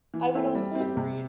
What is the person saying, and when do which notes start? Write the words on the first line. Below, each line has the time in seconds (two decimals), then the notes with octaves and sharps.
I would also agree
0.14 E3
0.35 C4 E4 A4
0.55 G3
0.75 C4 G4
0.97 C3